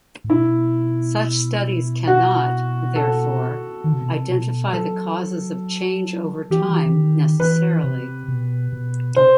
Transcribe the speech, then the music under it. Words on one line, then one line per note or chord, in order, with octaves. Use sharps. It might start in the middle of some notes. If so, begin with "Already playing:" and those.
Such studies cannot, therefore, identify the causes of change over time necessarily.
A2
B2 E4
F#4
A4
D#3
C3
B2
C3
B2
F#3 A4
E3 G4
F#3
E3
E3
D#3
E3 B4
C3
B2
B2
C3 C5